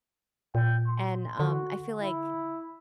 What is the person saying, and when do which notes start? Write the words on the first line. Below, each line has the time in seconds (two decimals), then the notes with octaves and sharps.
And, um, I feel like
0.55 A#2 G5
0.88 C6
1.40 D3 F#4
2.01 E4